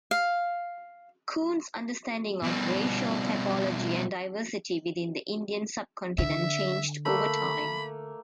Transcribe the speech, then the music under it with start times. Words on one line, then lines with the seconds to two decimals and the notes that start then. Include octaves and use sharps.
Coon's understanding of racial typology and diversity within the Indian sub-continent changed over time.
0.11 F5
2.43 B2 G3
6.18 D3 E5
7.06 A3 A#3 B5